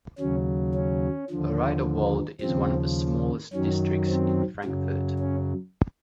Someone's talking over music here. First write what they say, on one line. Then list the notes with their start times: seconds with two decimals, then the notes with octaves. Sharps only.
Riederwald is one of the smallest districts in Frankfurt.
0.19 D#2 C#3 F#3 C#4
0.75 C#4
1.30 D#2 D3 F3
2.41 D#2 C#3 F3 C4
3.53 F#2 D#3 F#3 C#4
4.09 C4
4.64 F#2 C#3 F#3
5.19 C#4